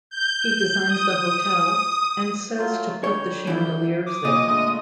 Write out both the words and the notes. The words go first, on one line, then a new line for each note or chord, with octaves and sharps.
He designs the hotel and says to put the chandeliers there.
G6
D#6
F#3 A3 F4
D3 G3 C#5 G6
E3 E4
D6 D#6
A#2 D#5
D3 G#3 A3